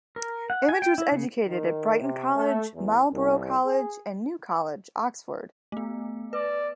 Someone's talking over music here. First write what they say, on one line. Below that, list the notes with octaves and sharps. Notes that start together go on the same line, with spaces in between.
Image was educated at Brighton College, Marlborough College and New College, Oxford.
A#4
F#5
G#5
G5
E4
C#3
D#3
C3
A3
E2
C2
G#4
A3 B3
B4 D5